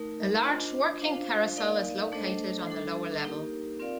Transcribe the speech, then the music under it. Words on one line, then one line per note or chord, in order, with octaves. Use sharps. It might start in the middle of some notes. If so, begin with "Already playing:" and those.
A large, working carousel is located on the lower level.
Already playing: A3 D#4 A#4
D4 F4 C5 D#5
D4 F4 C5 F5
A#3 D#4 A#4 D5 F5
A3 D4 A4 C5 D#5
G3 D4 A4
A#3 D#4 G4 A#4
C4 F4 A#4 D5 F5